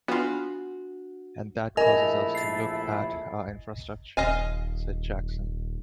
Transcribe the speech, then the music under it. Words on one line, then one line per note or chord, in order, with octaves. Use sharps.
And that causes us to look at our infrastructure, said Jackson.
B3 D4 F4 F#4
A#1 A3 E4 A#4 D#5 G#5
A6 C7
D#1 D#5 F5 G#5